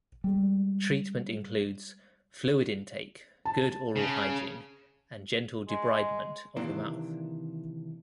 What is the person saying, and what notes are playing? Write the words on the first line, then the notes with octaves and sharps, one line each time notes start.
Treatment includes fluid intake, good oral hygiene and gentle debridement of the mouth.
G3 G#3
A5
C#3
G#3
C3 D#3 E3 A#3 D4